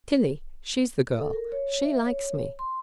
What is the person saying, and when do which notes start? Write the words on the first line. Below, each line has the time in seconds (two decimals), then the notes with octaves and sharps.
Tillie--she's the girl--she likes me.
1.18 A4
1.33 A#4
1.52 C#5
1.83 E5
2.06 C#5
2.59 C6